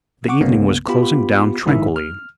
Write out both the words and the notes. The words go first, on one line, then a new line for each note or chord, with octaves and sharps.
The evening was closing down tranquilly.
F#5 C#6 D6
C2 G2 C#3 A#3 B3
B3 F4 G4 B5
A#1 G#2 D#3 E4 E5
F6